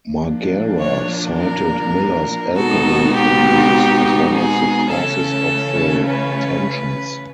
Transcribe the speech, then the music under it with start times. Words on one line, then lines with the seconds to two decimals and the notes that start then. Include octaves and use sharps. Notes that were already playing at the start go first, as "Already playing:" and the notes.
Margera cited Miller's alcohol abuse as one of the causes of the tensions.
0.20 A#2 F3 A#3 D4
0.79 C#5
1.38 A#4
2.56 B2 G#3 C4 D#4 F#4 A4
3.14 G4
4.32 G#4
4.90 C#3 E3 A3 C#4 A4
6.08 B4